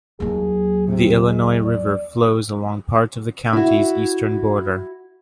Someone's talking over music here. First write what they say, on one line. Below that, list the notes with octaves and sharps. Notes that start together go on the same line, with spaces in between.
The Illinois River flows along part of the county's eastern border.
D#2 F#3 G#4
C3
G#3
D5
E4 F#4